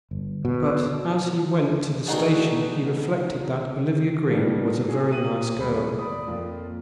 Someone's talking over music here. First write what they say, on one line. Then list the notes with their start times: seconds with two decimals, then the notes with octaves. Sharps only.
But as he went to the station he reflected that Olivia Green was a very nice girl.
0.11 G1
0.45 B2
2.07 D2 B2 D#3 D#4 F#4 G#4
4.30 F3 G3 A#3 B3 D4 D#4
4.87 F#4 G#4
5.10 G4 D#6 D#7 F#7
5.56 D#1 G#3 B5
5.98 D5 B5 D#6
6.27 F2 A#3 F4